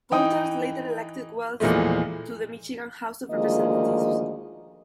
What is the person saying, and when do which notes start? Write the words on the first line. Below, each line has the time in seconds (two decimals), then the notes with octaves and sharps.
Voters later elected Wells to the Michigan House of Representatives.
0.12 E3 D#4 G5 D#6
1.60 E2 A#2 F3 G#3 A3
3.30 D2 D#3 F3 G#3 A#3 D#5